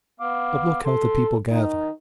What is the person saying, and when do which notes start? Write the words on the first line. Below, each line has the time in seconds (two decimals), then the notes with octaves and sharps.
"But look how the people gather!"
0.20 B3 F5 D6
0.86 A4 C6
1.51 D#3 D#4